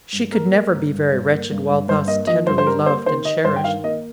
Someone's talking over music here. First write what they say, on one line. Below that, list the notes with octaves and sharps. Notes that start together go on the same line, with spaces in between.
She could never be very wretched while thus tenderly loved, and cherished.
G2
A#3 A#4
A#3
G2
G2
G2
A#3
G2
G2
G2 C5
A#3 D#5
F3 D#5
G2 C5
C5
G3 A#4
A#3 C5
D#3 C5
D#3 D#5
G2 C5
G5
D#3 F5
A#3 D#5